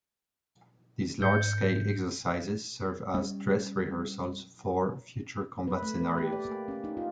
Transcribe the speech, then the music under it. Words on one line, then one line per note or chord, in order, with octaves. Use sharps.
These large-scale exercises serve as "dress rehearsals" for future combat scenarios.
G#2 G6 C#7
G3 C#4
B4
A3
B4
G4
D5
A#3
C#4
D#4
F4